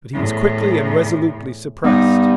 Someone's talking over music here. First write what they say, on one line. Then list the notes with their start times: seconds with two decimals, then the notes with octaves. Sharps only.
But he was quickly and resolutely suppressed.
0.14 E2 A2
1.84 G2 B3 D#4